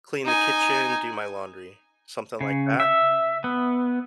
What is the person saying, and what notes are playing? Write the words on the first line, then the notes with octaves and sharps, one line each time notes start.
clean the kitchen, do my laundry, something like that,
D#4 G#5
C#3
E5
B3